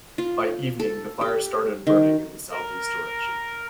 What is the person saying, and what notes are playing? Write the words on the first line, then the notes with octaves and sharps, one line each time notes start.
By evening, the fire started burning in a southeast direction.
F4
A4
G4
D#3
A#4